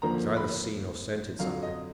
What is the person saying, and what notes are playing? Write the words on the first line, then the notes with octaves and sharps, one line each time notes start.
He's either seen or scented something.
D#2 D3 F3 A#3 A#5
B5
F2 D3 F#3 F5
D#5